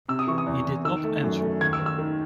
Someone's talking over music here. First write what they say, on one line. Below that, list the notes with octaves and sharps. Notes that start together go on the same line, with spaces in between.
He did not answer.
C3 E6
D#6
E3 C#6
D#6
E2
E2
D#3 E6
A3
F#2
A3
D#2 G#6
E6
D#2
E6
D#3